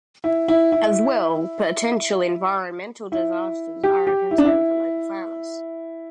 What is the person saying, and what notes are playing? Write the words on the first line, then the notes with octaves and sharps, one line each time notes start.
As well, potential environmental disasters are a concern for local farmers.
E4
E4
E4
E4
G4
G4
E4
D4
E4